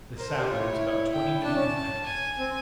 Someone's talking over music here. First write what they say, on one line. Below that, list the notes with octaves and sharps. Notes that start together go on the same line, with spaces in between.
The sapling was about twenty feet in height.
A#4 C5
A4
G4
F4 C#5
E4
E4
G5
D4 A5
C#4
G#5
C4